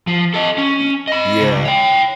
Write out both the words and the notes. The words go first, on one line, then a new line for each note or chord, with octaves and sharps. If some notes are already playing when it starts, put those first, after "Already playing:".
Y yeah.
F3
A4 D#5
C#4
D#5 B5
C#2
C#5 G5